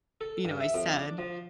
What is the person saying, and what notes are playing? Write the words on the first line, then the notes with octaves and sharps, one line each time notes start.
you know, I said"
A4
G2
E5
F2
D4
F3